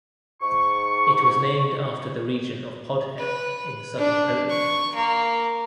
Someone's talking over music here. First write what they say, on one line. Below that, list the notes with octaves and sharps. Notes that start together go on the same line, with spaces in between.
It was named after the region of Podhale in southern Poland.
G#2 C#6
B4
D4
C#6
A#3